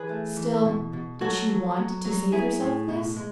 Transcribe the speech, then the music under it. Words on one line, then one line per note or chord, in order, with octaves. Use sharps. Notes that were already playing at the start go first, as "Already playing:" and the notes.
Still, did she want to save herself this?
Already playing: E3 G#4 B4
A3
E3
B2
B2
F#3 F#4 A4
F#3
F#3
F#3
B3 E4 G#4
A2
B2
G#3